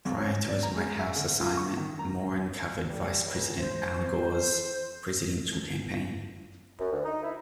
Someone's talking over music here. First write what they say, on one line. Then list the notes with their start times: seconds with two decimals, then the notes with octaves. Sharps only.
Prior to his White House assignment, Moran covered Vice President Al Gore's presidential campaign.
0.05 F2
0.18 C#4
0.48 D5
0.63 A#5
0.76 G#3
0.99 E5
1.15 D3
1.40 F4
1.57 C#6
1.77 D#3
1.99 A#5
2.88 G3
3.23 C#2
3.60 C5
6.79 F#2
6.92 D2
7.04 D#4
7.23 E4